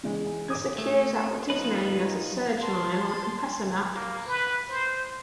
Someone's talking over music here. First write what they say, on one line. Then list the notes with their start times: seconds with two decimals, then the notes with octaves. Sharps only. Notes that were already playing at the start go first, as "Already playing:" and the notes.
This occurs at what is known as the surge line on a compressor map.
0.03 C#3 E3 G#3
0.48 D6 D#6 G#6
0.78 A3
1.50 F3 D#4 B4
2.61 A5 C6
3.95 A#3
4.27 B4
4.69 C5